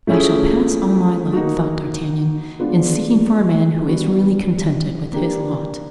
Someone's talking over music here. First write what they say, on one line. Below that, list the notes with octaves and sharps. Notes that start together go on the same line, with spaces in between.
"I shall pass all my life," thought D'Artagnan, "in seeking for a man who is really contented with his lot."
F3 A3 C#4 E4 G#4
A#3 D#4 F#4
G#3 B3 D4 F4
G3 B3 D4 F#4
A#3 D4 G4